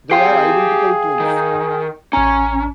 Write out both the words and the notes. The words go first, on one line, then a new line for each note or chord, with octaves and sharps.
They are identical twins.
G4 G#4 F5 G5 C6 C7
D#3
A1 C#4 G#5 A#5